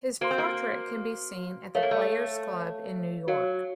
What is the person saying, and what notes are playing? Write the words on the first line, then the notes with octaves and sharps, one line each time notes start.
His portrait can be seen at the Players Club in New York.
A#3 F#4 C5 F5 C6
C4
A#3
A3 A#4 C#5 F5
A#3
A3
F#3 F#4 A#4 C#5 F5